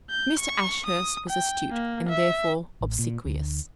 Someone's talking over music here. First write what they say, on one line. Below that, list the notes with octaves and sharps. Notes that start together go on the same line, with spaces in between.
Mr. Ashurst was astute, and therefore obsequious.
G6
C#6
D#6
G5
A#3
E5
A1
A#2
D2